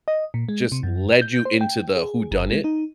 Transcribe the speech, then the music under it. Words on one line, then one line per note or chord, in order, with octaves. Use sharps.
just led you into the whodunit,
D#5
A#2
G#3
C3
F#2
G6
C5
G5
G#4
G1
G#3
D#4